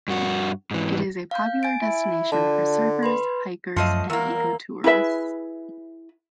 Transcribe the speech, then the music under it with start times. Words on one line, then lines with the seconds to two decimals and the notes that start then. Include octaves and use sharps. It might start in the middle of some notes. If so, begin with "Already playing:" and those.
It is a popular destination for surfers, hikers and ecotourists.
0.08 G2 F#4
0.71 G#2 E3
1.31 F5 G6
1.63 G#5 A6 D7
1.82 E4
2.32 D3 F4 D5 A5
3.03 B4 B5 C6
3.76 F#2 F3 A3 D#5 C6
4.10 E2 A#3 A#4 E6
4.84 E4 G#4 B4 E5